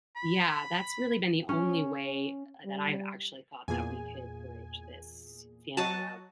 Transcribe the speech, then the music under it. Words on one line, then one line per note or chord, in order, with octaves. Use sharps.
Yeah, that's really been the only way, uh, that I've actually thought that we could bridge this feeling of,
B5
C#4
G3
E2 A#2 G#4 G#5
F#3 F#4 D#5 A5